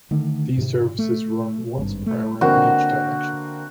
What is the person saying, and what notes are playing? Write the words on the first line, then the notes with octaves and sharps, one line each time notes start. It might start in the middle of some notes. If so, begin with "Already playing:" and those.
These services run once per hour in each direction.
D3 D#3 A3
G#2 C3
A3
G#1 G2
A3
D3 A#3 C4 F#4